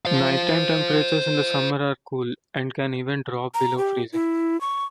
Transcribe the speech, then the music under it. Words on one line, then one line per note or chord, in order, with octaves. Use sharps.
Nighttime temperatures in the summer are cool, and can even drop below freezing.
C5 F5
A#5
G4
E4
C#6